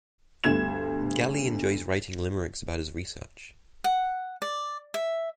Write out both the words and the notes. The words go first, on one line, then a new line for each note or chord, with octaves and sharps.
Galli enjoys writing limericks about his research.
D2 G2 D3 B3 G#6 E7
F#5
D5
E5